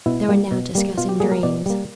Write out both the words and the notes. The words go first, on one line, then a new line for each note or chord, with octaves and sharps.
They were now discussing dreams.
B2 E4
G3 A#3
B2
G3 A#3
B2 F4
G4
G3 A#3 G#4
A#4
B2 D5
G3 A#3